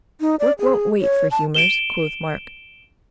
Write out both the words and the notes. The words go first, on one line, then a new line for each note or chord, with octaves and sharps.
"Work won't wait for humors," quoth Mark.
D#4
D5
G#4
C#5
A5
D7 E7 G7